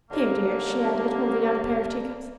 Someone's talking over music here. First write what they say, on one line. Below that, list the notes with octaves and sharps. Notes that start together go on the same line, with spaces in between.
"Here, dear," she added, holding out a pair of teacups.
D#2 D3 A#3